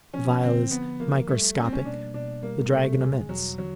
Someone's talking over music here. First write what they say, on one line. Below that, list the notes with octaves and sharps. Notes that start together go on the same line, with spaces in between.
The phial is microscopic, the dragon immense.
F3 C#4
D3 C4
F3 B3
F3 A#3
G3 A3
A#3 C#4
C4
C#4
B2 D4
B2 D4
G3 A#3
B2 A3
E2 G#3
E2 F#3
D3 F#3